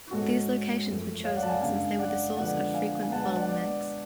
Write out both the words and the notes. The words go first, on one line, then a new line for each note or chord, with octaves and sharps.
These locations were chosen since they were the source of frequent bottlenecks.
G#2 G#3 C#4 F#4 A4
F#2 F3 A3
C#5 F5
D5 F#5
A5
F5 G#5
F#2 C#3 G#3 D4 F5 G#5
D5 F#5
D3 F3 G#3 B3 D4 D5 F#5
F5 G#5
G#5
B2 G#3 B3 D4 F#5 A5
F#5 A5
D5 F#5
D5